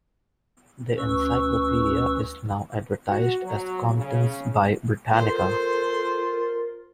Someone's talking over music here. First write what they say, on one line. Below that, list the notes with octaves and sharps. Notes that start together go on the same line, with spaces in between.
The encyclopedia is now advertised as "Compton's by Britannica".
D2 C#4 B4 C#6 E6
F#4
F#3
C#3
F4 A4 A#4 C5